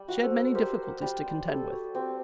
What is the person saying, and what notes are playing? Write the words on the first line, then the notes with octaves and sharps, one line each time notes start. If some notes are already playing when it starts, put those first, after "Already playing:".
She had many difficulties to contend with.
Already playing: G3
F#4
A4 C5
G4 A#4 C5
G3
G4 A4
F#4
C4 G4